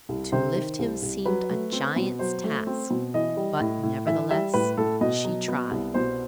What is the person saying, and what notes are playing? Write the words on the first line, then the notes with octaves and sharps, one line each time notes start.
To lift him seemed a giant's task; but nevertheless she tried.
C2
C3 C5
D#3
C2
C2
F#3 B4
A3
C4
B2
F#3 C5
A3
C4
B2
E3 D#5
G3
A2
A2
E3 E5
G3 E5
A2 B4
A2 A4
B2 D#5
F#3
B3
C2
B2 C5